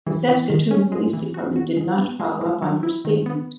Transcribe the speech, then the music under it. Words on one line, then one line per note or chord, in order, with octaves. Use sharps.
The Saskatoon police department did not follow up on her statement.
E3
E3
D#3
C#4
G#3
E3
F#4
F#4
G#3
B3
G#3
G#3
F#3
E4
D#3
B3